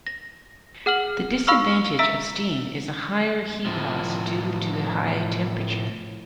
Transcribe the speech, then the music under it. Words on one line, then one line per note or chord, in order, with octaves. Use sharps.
The disadvantage of steam is a higher heat loss due to the high temperature.
A#6
G#4 F#5 F6 F#7
F5 B5 C#6 E6 F6
E5 A#5 E6 B6 D7
A2 F3